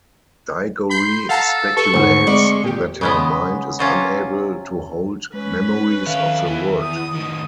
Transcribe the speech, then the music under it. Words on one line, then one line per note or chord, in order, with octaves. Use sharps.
Digory speculates that her mind is unable to hold memories of the Wood.
B5 C6 G6
A4 F5 F#5 A5 A#5
G4 A4 B4 C#6
G#2 D3 A3 B3 C#5
G#3 C4 D5
A#2 G4
C#3 G#3 B3
C3 C#4 F4 F#4
G#3 C#4 B4
D#3 A4 E5 F5 C#6
E2 E3
D#6
A2 D#3